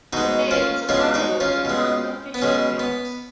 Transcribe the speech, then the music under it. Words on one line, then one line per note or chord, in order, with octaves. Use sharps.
The bay was a harbour for Tanka fishing junks.
B2 G#3 D#4 F#4
C#4 F4
B2 G#3 C#4 F4
D#4 F#4
C#4 F4
B2 G#3
B3
B2 G#3 C#4
B3